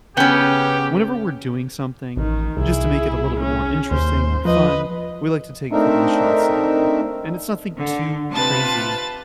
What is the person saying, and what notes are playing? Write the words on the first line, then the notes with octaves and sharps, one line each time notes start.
whenever we're doing something, just to make it a little bit more interesting or fun, we like to take a couple of shots together. And it's nothing too crazy,
C#3 B3 C#4 G4 G5
A1 D#3
C2 E4 G#4
C#4
D#2 C5
F3 B4 D#5
A3 C4 D4 D#4 A#4 E5
D3
C3 F4 B4 A5 A6